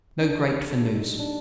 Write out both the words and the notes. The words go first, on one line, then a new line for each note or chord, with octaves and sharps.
No great for news.
C2 D4
F3
G4
C2
A4
A#2
C2 D#4
F3
D4